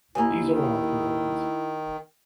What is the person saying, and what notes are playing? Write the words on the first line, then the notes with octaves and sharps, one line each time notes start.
These are our heroines.
D#2 A#3 E4 G#5
D#3